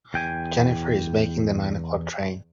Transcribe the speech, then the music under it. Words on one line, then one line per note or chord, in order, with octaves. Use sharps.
Jennifer is making the nine o'clock train.
E2 G5 G#5